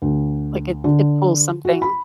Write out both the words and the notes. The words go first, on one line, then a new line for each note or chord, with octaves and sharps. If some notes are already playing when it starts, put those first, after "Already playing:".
like, it it pulls something
D2
D3
F#4
B5